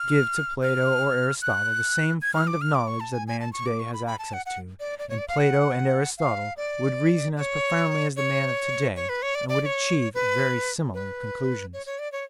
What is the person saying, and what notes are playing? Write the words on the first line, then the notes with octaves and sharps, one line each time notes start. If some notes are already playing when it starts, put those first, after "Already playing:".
Give to Plato or Aristotle the same fund of knowledge that man to-day has access to, and Plato and Aristotle would reason as profoundly as the man of to-day and would achieve very similar conclusions.
Already playing: F6
F6
F#6
G#6
F6
D6
F6
D6
C#6
A5
G#5
G#5
A5
C#6
D6
C#6
B5
B5
A5
F#5
F#5
D5
D5
C#5
D5
F5
F#5
F5
D5
D5
C#5
C#5
C#5
B4
C#5
D5
D5
D5
C#5
B4
B4
C#5
C#5
D5
C#5